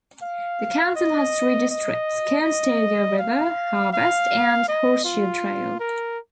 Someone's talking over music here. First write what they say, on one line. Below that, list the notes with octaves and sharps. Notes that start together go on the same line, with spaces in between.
The council has three districts: Conestoga River, Harvest, and Horse-Shoe Trail.
F5
D#5
D#5
F5
F5
D#5
F4
A#4